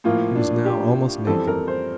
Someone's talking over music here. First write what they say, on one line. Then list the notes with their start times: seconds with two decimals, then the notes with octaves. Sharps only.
He was now almost naked.
0.04 A2 F3 A#3 F4
0.36 D4
0.65 G4
1.27 F2 E3 G3 C4 A4
1.47 A#4
1.68 C5